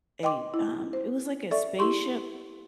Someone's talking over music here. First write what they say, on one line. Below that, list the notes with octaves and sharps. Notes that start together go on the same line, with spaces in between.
a um, it was like a spaceship
D#5 G5 C6 D6
E4
C5
A4 D5 E5 C#6
E4 G4 C6 C#6